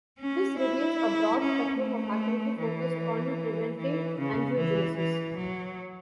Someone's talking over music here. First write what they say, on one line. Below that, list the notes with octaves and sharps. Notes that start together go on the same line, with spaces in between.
This reveals a broad spectrum of activity focused on preventing angiogenesis.
C#4
E4
C#4
A3
E3
E3
C#3
E3
E3
F#3